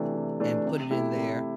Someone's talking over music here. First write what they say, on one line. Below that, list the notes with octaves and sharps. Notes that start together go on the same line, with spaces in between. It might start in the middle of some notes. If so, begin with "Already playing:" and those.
and put it in there.
Already playing: C3 E3 A3 D4
C3
E3 A3 D4
C3
A3 E4 G4
C3